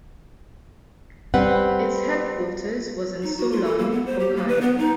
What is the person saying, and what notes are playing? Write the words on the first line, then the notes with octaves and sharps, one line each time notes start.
Its headquarters was in Solon, Ohio.
G3 C4 B4 F#5
D#4
F#4
F4
A4
A#3
B3
C5
G4
A#3
B4
B3
D#4